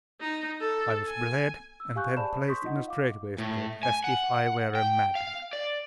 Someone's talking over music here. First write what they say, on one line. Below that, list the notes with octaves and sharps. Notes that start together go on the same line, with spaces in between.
I was bled; and then placed in a strait-waistcoat, as if I were a madman.
D#4
A4
G#5
E6
G4 F5 G#5 C#6 F#6 G6
G#4 C5 D5 A5 B5 E7
C6 C#6 D#6 G6 B6
D#4 F4 D#5 F#5
F5 D6
A2
G#5
F#5
G5
F5
D5